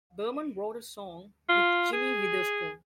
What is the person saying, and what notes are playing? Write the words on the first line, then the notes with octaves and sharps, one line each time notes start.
Berman wrote a song with Jimmy Witherspoon.
F4
G#4